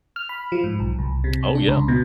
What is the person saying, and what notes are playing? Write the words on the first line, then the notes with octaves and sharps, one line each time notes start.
Oh, yeah.
F6
B5
F3
G#2
B1
C2
C3
D4
C#2
B2